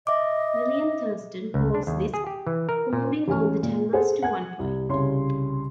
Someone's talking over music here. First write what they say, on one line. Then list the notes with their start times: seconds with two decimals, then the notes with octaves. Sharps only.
William Thurston calls this "combing all the tangles to one point".
0.07 D#5 E5 D6
1.54 C#2
1.75 D4
1.87 D#2
2.14 G#4
2.27 G4
2.47 E3
2.69 A#4
2.93 A#2
3.28 A1 C#4 G#5 F6
3.63 A#2
3.93 G#4 A4 C5 F#5
4.22 F#5 G#5 G#6
4.59 C2
4.89 C2 C#3 C#5 C6